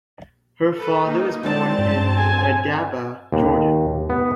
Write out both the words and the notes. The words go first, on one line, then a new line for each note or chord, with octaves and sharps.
Her father was born in Madaba, Jordan.
A4 B4
A#3 D#4
F#3 G#3 C4 E4 D5 A5
G2
D3 G#4 G#5
D#2
B3